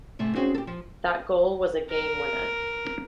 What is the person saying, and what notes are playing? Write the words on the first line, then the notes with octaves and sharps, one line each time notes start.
That goal was a game-winner.
G#2 C3 A3
C4 C#4 D#4 F#4 G#4 C5
G4 A4
F3
A#4